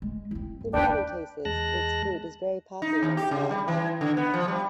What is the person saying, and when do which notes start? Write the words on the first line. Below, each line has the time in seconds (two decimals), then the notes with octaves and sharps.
In many cases its fruit is very popular with wildlife.
0.02 G#3
0.31 C4 E4
0.61 G2
0.74 D#2 D4 E4 B4 G5
1.45 E2 G#3 A5 F#6 A#6
2.82 D#4
3.03 D#2
3.17 G4
3.31 C#3
3.50 G3
3.68 E3
4.01 D3
4.17 B3
4.34 F3
4.48 G3